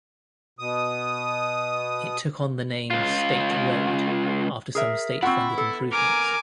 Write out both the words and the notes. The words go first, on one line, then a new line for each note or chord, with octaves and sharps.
It took on the name State Road after some state-funded improvements.
B2 D#6
C#2 F4
G#4 A#4 E5
C4 E4 F4 F#5 C#6
B3 A4
A#4 G#5 D6